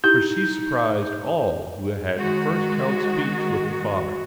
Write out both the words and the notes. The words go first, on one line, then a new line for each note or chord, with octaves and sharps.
For she surprised all who had first held speech with the father.
D#4 E4 G4 G6
D#3 G#3 F#4